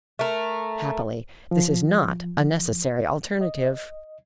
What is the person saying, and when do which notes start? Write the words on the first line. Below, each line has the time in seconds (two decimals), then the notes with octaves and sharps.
Happily, this is not a necessary alternative.
0.19 A3 A#4
1.51 F3
3.41 D#5